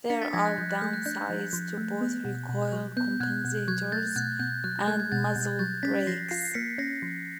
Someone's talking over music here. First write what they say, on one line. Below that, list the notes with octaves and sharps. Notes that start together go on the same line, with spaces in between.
There are downsides to both recoil compensators and muzzle brakes.
D4 B6 C#7
A6 B6
F3 G#6 A#6
F#6 G#6
F3 G6
F#6
A3 G6
F#6
D4 G6
F3
F3
A3
B3
B2
B2
F#3
B3 G6
B2 F#6 G#6
B2
F#3 F#6 G#6
A3 G6 A6
B2 F#6 G#6
B2 G6
F#3 F#6
A3 F#6 G#6
F#6 G#6
B2 G6 A6
B2 G6
G#6
F#3 G6 A6
C#4 A6 B6
F3 A#6 C7
F4 A#6 C7
C7
A#3 B6 C#7
C#4 A#6 C7
F3